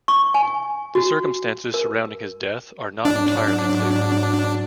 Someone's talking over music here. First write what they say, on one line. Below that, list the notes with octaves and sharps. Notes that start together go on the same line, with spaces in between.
The circumstances surrounding his death are not entirely clear.
C#6
G#5
F#4
A#4
G#2 F#3 D4